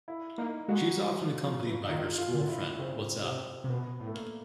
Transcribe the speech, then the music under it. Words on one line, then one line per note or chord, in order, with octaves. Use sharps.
She is often accompanied by her squirrel friend, Whatzup.
E4
A#3 D#4
G#3 F#4
G3
F3
F3
E3
D#3 F4
F4
D3
E4
C#3 C4
C3 C4
C3
B2 B3
A2
A3
A#3